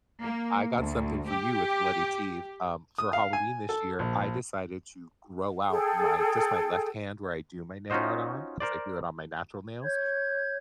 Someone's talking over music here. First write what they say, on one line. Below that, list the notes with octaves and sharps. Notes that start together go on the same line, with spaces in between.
I got something for you with bloody teeth, um, for Halloween this year, I decided to grow out my just my left hand where I do my nail art on, 'cause I do it on my natural nails.
A#3
D2
G4
D#6
F5
G#5
A4
A#1
G#4 A4 G5
C#4 D#4 F4 F#4 C5 D#5
A#4 C5 D5
C#5 G6 G#6